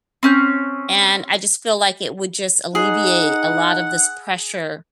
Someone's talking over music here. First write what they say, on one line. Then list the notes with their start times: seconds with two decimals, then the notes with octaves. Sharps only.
and I just feel like it would just alleviate a lot of this pressure
0.23 C4 C#4 G6
2.75 D#4 G#4 F#5